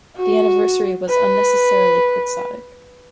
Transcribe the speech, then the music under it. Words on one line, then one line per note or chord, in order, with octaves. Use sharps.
The anniversary was unnecessarily quixotic.
F#4
B4